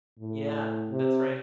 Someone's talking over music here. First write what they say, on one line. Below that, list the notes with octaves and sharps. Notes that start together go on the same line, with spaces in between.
Yeah, that's right.
A2
C3